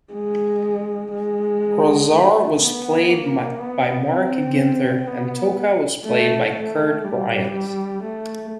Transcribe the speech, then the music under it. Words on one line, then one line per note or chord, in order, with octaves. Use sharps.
Rahzar was played by Mark Ginther and Tokka was played by Kurt Bryant.
G#3
G#3
A3
B3
A#3
B3
C4
B3
A3
A3
G3
A3